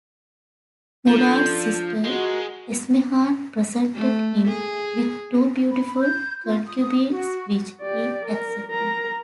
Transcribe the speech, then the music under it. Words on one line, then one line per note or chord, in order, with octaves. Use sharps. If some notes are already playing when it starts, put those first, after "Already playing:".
Murad's sister Esmehan presented him with two beautiful concubines, which he accepted.
F3 D4 A4 G6
G#3 F#4 A#4
A3
G#4
B5
G6
F4
D#6
F#4
G4 D5
A#4
A#4 A#5